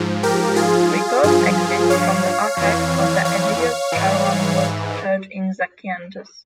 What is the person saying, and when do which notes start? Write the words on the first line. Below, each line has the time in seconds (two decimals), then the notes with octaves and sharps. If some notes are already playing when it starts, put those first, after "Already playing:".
Records exist from the archives of the Agios Charalambos church in Zakynthos.
Already playing: G#2 F3
0.23 G4 A#4
0.56 F4 G#4
1.23 G2 F3 F4 G#4
1.90 C#5 F5
2.57 F2 E3
3.25 C#5 F5
3.92 G#2 E3